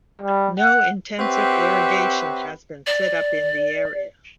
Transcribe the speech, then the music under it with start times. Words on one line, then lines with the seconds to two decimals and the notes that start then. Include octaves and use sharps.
No intensive irrigation has been set up in the area.
0.22 G3
0.59 F#5
1.19 C4 G4 B4 C#5 E5 F#5
2.86 D5